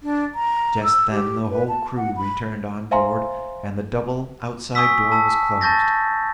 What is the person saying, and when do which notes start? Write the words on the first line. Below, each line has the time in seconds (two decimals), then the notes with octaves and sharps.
Just then the whole crew returned on board, and the double outside door was closed.
0.03 D4
0.35 A#5
0.84 E6
1.11 G4
1.50 B4
1.68 A5
1.97 F#5
2.17 B5
2.91 C5 E5 F5 G#5 A#5 C6
4.75 G#5 C#6 D#6 E6 B6
5.12 A5 E6
5.61 A5 C#6 G6 A6 A#6